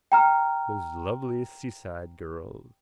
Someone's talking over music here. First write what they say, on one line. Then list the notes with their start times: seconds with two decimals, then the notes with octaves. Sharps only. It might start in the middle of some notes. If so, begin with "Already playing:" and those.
Those lovely seaside girls.
0.12 G5 A#5 F6